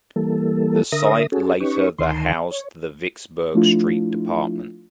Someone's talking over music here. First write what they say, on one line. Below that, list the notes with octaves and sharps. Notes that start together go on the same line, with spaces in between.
The site later the housed the Vicksburg Street Department.
E3 G3 A#3 A4
D3 A#4 E5 D#6 A#6
C#4 F#4 G#4 A4
C#4 D#4 G4 B4 C#6
D2 D#3 C6
C#5
F3 A3 D4 E4 F4